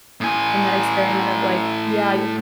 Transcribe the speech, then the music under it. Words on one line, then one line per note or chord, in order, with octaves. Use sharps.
and that experiment of like yeah, you
A2 G#5